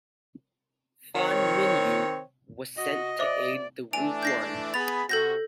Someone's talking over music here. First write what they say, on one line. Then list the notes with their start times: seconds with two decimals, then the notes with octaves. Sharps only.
Fan Minyu was sent to aid the Wuhuan.
1.15 D#3 C4 C#5
2.77 F#4 D#5
3.19 C5 D5 E5 D6
3.93 E3 A3 D4 G#5 D7 F7
4.23 G6 A#6 C7
4.74 B3 G#4 B5 A6 F7
5.09 C3 F#4 A4 G6 A#6